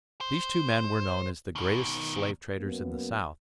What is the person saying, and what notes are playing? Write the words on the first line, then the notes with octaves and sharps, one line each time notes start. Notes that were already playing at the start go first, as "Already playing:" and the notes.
These two men were known as the greatest slave traders in the South.
C5
B2 D#3
F#2 A#3 B3